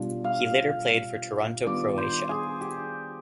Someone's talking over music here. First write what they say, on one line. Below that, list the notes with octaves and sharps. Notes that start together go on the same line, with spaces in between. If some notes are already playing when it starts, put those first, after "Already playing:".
He later played for Toronto Croatia.
Already playing: B2 G3 D4 F4
F5
D#3 G3 B3 D4 F4 D5
C5
G#4
G4